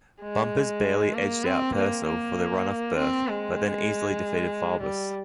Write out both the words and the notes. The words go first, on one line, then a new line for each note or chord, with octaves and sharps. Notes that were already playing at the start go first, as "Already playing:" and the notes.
Bumpers barely edged out Purcell for the runoff berth but then easily defeated Faubus.
G#3
A#3
C4
A#3
A#3
C4
G#3
G3